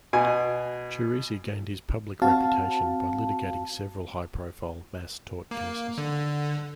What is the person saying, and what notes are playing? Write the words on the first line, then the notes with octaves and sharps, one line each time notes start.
Ciresi gained his public reputation by litigating several high-profile mass tort cases.
B2 G#5
C4 F#4 F5 A5
A#3
D3